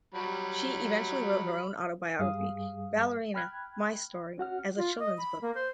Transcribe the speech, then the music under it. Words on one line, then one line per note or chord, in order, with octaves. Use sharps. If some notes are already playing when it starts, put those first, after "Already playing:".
She eventually wrote her own autobiography "Ballerina: My Story" as a children's book.
F#3 G3 B5
G2 G3 G#4 F5 D#6
G5 B5 F6 F#6 G#6
C#4 F#4 F#5 F6
F4
D#5
B5
A#3
C5